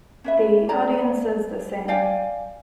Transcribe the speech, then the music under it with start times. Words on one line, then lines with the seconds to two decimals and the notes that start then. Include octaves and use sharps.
The audience is the same.
0.24 C#4 B4 E5
0.69 C#4 D5 A#5
1.88 D5 F5 G5 G#5